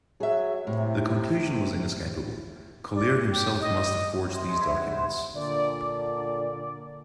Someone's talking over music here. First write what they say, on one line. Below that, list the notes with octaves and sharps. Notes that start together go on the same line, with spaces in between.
The conclusion was inescapable-Collier himself must have forged these documents.
F#3 G#4 E5
A2 C3
D5
G4
D#5
C3
G#3
E4
F#5
C5
A#2 D3 D5